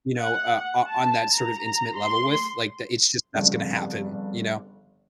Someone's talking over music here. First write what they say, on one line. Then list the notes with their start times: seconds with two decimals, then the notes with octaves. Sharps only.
you know, uh uh, on that sort of intimate level with, like, that it's just that's gonna happen, you know?
0.19 F#5
0.88 A5
1.33 A#5
1.96 C6
3.34 G1 F2 C#3 D4